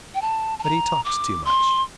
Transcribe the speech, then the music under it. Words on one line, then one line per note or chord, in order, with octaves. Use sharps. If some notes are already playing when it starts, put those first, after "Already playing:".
"But he talks too much."
G5
A5
A5
A#5
D6
C6